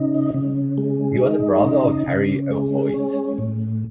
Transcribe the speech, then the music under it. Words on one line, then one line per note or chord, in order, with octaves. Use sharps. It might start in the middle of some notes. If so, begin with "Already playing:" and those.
He was a brother of Harry O. Hoyt.
Already playing: C#3 D#4
C#3
G#3
D#4
C#3
C#3
G#3
C#4
A2